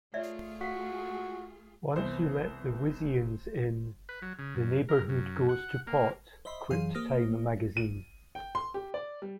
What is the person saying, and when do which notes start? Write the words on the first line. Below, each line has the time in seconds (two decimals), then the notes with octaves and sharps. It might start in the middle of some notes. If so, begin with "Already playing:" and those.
"Once you let the Wisians in, the neighborhood goes to pot," quipped "Time Magazine".
0.14 A3 F4 G#4 C#5 D5 E5
0.61 F#4 F5 F#5
1.96 C2 E3 B3 C5
4.09 B4
4.22 F#3
4.39 C#3
4.55 F#2
4.89 A#4
5.09 F#2
5.49 F#5
5.87 A#3
6.45 C5 D#5 E5 B5 C6
6.71 F#2 E3 G#4 F5 G#5 C6
6.95 A#3 G4 C5 D#6 F6 A#6
7.77 D#7
8.35 G5
8.55 C6
8.74 G4
8.94 D5
9.22 G3